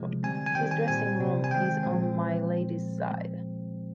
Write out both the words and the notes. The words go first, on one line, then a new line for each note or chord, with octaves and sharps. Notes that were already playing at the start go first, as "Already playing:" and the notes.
His dressing-room is on my Lady's side.
Already playing: C3 F3 G#3
D3 G3 C4 G#5
G#5
D#3 G3 C4 G5
G#5
A#2 G3 C4 G#5
C3 G3 C4
G#5
D#3 G#3 C4 G5
A#2 F3 G#3 C4